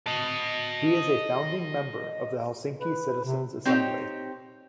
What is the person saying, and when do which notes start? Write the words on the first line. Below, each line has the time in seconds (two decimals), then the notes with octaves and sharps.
He is a founding member of the Helsinki Citizens Assembly.
0.06 D#5 A5
2.80 B4
3.25 C3
3.65 C4 D#4 G4 C5 C#5